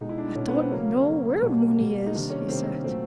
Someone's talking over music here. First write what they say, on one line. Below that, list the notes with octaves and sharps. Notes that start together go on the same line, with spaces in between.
"I don't know where Mooney is," he said.
B2 G#3 D#4
E4
D4
B2 G#3 C#4
B3
C4
C#3 F#3 A#3 C#4
C#3 F#3 A#3
B2 G3 A#3
B2 G3 A#3
D#4
C3 D#3 G3 A#3 D4
C#4
C3 D#3 G3 A#3 C4
C4
A#2 F#3 A3 C4